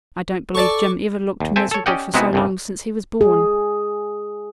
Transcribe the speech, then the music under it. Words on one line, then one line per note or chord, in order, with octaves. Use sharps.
I don't believe Jim ever looked miserable for so long since he was born.
A4 D5 A5 C#6
D#2
C4 A4 E5 G5 G#5
A4 C#5
C#4 G4 D5 D#5 F#5 G5
C3 G#3 B3 D#4 E4 F#4
C2 G2 C#3
G#4